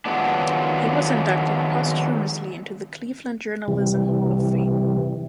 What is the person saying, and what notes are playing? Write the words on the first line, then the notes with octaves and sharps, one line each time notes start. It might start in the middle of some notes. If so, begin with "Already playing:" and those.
He was inducted posthumously into the Cleveland journalism hall of fame.
D#3 F3 F#3 G#3 B3 D4
C3 E3 G3